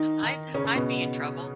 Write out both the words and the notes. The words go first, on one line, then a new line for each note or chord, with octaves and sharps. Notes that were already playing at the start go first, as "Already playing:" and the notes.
I'd I'd be in trouble.
Already playing: D#3 D#4
D#3 D#4
C#3 C#4
C#3 C#4
B2 B3